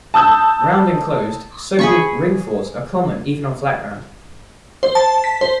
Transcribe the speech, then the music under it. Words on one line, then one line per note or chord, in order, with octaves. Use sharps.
Round and closed, so called, "ring forts" are common even on flat ground.
A5 D#6 E6 G6
G#4 B5 C#6
C5
A5
B6
C5